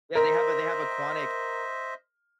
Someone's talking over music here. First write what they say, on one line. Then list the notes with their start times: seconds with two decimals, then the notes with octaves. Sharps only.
Yeah, they have they have a Quantic
0.15 A#4 C5 D#5 E5